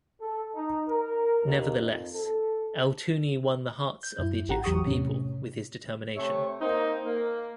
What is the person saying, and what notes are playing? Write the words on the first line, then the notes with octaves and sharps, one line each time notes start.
Nevertheless, Eltouny won the hearts of the Egyptian people with his determination.
A4
D#4
A#4
D#2
F2
A4
G6
F#2 E4
G#1 G4 F#5 A#5
E2 F#3 G4 C#6 D#6
A2 C3 C#4
C3 A3 C#5 E5
A#3 C4 D#4
A#3